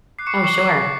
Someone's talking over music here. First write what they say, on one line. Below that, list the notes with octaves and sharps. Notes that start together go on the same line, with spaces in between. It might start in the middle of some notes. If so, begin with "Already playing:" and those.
Oh, sure.
D6 F#6 C7
C#6 C#7
C7
C#6 C#7
D6 F#6